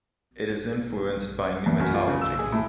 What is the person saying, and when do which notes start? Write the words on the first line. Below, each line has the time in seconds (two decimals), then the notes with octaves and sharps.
It is influenced by pneumatology.
1.66 E2
1.80 F#2
1.93 F4
2.08 C#3
2.21 E6
2.39 G#4
2.52 A2